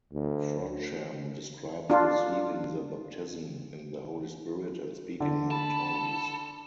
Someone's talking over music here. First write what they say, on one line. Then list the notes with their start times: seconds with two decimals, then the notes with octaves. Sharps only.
Frodsham describes receiving the baptism in the Holy Spirit and speaking in tongues.
0.13 D2
1.90 D4 F4
5.20 D3
5.51 A4 B5